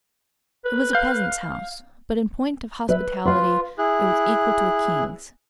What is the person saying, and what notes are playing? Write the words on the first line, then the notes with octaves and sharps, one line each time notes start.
It was a peasant's house, but in point of hospitality it was equal to a king's.
B4
F5 G6
B4 E5
F4 B4 F5
E4 G#4 F#6